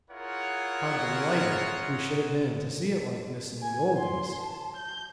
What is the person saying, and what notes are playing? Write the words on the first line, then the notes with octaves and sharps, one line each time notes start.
How delighted we should have been to see it like this in the old days!
E4 F4 G#4 A#4 C#5 F#5
G#5
C6
A5
G6